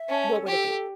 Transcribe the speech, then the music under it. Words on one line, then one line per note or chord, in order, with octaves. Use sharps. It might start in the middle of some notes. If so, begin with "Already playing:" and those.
what would it be?
Already playing: E5
C#4 A5
A4
G4 A4
A4